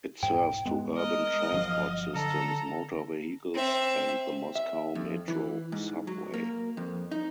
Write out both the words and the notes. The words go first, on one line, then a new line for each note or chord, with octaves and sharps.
It serves two urban transport systems: motor vehicles and the Moscow Metro subway.
E1 G#2 G5
G#3 B3
A#4 D#5
G1 F3 F#3 F5
D3 A4 A#5
C4 E5
E5
F2
E3
G#2
F#3
A#3
F2
D#4